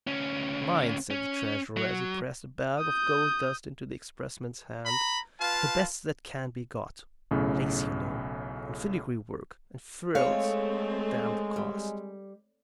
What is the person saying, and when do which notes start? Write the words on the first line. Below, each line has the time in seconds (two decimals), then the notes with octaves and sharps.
"Mind," said the treasurer, as he pressed a bag of gold-dust into the expressman's hand, "the best that can be got,--lace, you know, and filigree-work and frills,--damn the cost!"
0.07 D2 C#4
1.10 C#4
1.77 F#3
2.78 D#6 G6
4.85 A#5 B5
5.41 F4 B4 F5 A5
7.31 B1 A2 C#3
10.15 G#3 A3 C4 C#5 F5
11.56 G3